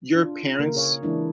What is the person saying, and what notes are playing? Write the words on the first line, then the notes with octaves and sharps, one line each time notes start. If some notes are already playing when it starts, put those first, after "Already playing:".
your parents
D4 F4
C#3 A#3 A#4
G#4 C#5 F5
E3 G#3 A#3 D4 E4